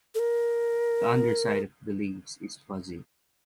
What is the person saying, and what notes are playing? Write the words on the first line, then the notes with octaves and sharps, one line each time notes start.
The underside of the leaves is fuzzy.
A4
A#4